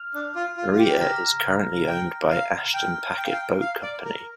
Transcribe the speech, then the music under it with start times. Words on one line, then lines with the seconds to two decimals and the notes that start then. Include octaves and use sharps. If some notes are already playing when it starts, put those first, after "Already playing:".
"Maria" is currently owned by Ashton Packet Boat Company.
Already playing: F6 F7
0.14 D4
0.36 F4
0.57 F4
0.72 F4
0.78 G4
1.00 A#5 F6 A#6
1.87 G5
2.30 F5
2.74 G5 F6 D7 G7
3.18 G5
3.25 F5
3.32 G5
3.61 F5
3.83 D5
4.05 A#4